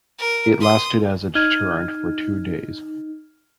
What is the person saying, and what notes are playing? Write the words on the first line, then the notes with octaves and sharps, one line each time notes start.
It lasted as a deterrent for two days.
A#4
C6 D#6
D#4 F6 G#6 D#7